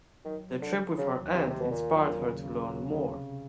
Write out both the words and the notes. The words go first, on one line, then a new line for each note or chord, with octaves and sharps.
The trip with her Aunt inspired her to learn more.
D#3 F#3
F#3
D3
D3
C#3 F#3
D#2
C3
D#2 C3
B2
A#2 A#3
F#3
C#3
C#3
F#3
C#3
C3